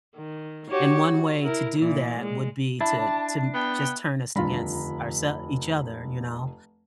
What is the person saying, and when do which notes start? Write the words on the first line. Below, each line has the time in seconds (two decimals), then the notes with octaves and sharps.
and one way to do that would be to to just turn us against ourse each other, you know?
0.17 D#3
0.70 F#4 G4 C#5
1.06 F#4
1.44 E4 A#4
1.78 A#2 E3
2.20 G#3
2.81 D4 E4 A5
3.54 B3 G5
4.36 F1 D#2 D3 G3 F4 A#5 B5